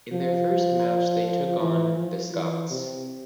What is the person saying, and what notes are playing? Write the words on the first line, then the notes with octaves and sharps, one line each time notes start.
In their first match they took on 'the Scots'.
F3
E3
F3
E3
C3